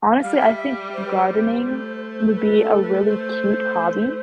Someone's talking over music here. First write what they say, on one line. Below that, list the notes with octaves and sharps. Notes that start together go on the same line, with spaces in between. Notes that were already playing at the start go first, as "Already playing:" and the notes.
honestly, I think gardening would be a really cute hobby.
G3 F5
E5
E5
C5
B4
C5
A3
B4
A4
B4
C5